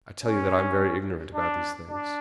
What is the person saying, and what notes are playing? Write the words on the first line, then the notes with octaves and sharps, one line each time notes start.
"I tell you that I am very ignorant about these things."
C#4
D4
D4